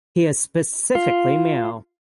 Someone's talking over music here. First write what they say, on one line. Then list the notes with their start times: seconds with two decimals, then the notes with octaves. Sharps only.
He is specifically male.
0.95 F4